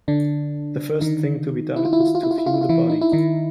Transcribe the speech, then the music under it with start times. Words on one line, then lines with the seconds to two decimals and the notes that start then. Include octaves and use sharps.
The first thing to be done is to view the body.
0.08 D3 D4
1.01 D#3 D#4
1.76 E4
1.85 F4
1.93 E4
2.00 F4
2.07 E4
2.15 F4
2.23 E4
2.31 F4
2.38 E4
2.46 F4
2.54 E4
2.61 F4
2.69 E3 E4
2.90 D#4
3.01 E4
3.12 D#3 D#4